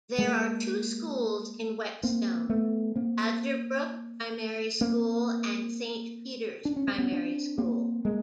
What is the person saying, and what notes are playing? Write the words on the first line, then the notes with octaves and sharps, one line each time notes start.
There are two schools in Whetstone: Badgerbrook primary school and Saint Peters primary school.
G#3 A#3
A#3 C4
A3 B3
A#3 C4
A#3 C4
D4
C#4
C4
B3 C#4
C4 D4
A#3 C4
G#3 A#3